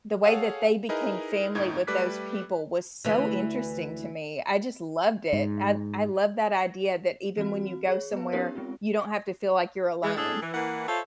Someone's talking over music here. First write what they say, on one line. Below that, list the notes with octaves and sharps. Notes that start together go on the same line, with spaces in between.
the way that they became family with those people was so interesting to me, I just loved it, I I love that idea that even when you go somewhere, you don't have to feel like you're alone.
G#4 A4 C#5 F5 F#5 G#5
D#4 E4 G#4 A#4 B4 D#5
G1 A2 D#4 G#6
G3 A3 B4 D6 F#6 B6
D2 E3
G#2
E3 C4 F#4
G#4 C#5
B3 B4
B3 C#4 D#4 G4 A#4 C#5
G#3 C4 F4
E3 G#3
A2 D4 G#4 A4
E3
E3 A#3 F#5
F4 A4 C5 C#5 E5 F5